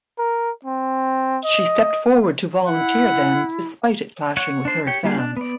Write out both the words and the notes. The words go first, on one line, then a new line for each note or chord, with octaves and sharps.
She stepped forward to volunteer then despite it clashing with her exams.
A#4
C4
D#5
E4 F#5
C#5 F#5
D4 C5
G4 C#5 G5
G3 A#3 F4 G4 G#4
D4
B3 D5